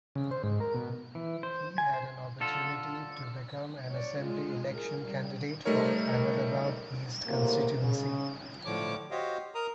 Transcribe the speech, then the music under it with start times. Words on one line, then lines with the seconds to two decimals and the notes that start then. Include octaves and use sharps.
He had an opportunity to become an assembly election candidate for Ahmedabad East constituency.
0.15 C#3
0.31 C5
0.43 G#2
0.60 A#4
0.74 B2
1.15 E3
1.43 C5
1.78 G#5
1.94 C5
2.40 D3 F4 A4
3.89 C#5 D5
4.20 G#3 F4
4.73 G#4 A#4
5.06 G3
5.65 G3 A3 D#4 A#4 C#5
7.27 A2 C3 F#3 A#3
7.80 C#3
8.65 A2 D3 F3 C#5 D6
9.11 F#4 G4 C5 C#5 D#5 F5
9.55 A#4 A#5 D#6